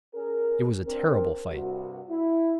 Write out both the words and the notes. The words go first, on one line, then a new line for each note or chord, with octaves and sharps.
It was a terrible fight.
C#4 G#4 A#4
C4 D4 A#4
C2 G2 C3 F#4
E4